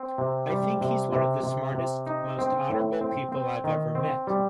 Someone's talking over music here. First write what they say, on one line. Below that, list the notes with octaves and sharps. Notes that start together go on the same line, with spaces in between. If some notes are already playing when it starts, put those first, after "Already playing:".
I think he's one of the smartest, most honorable people I've ever met.
Already playing: C4
C3
G3
C3
C3
C3
C3
D#4
C4
A2
C4
C4
D#3
C4
G3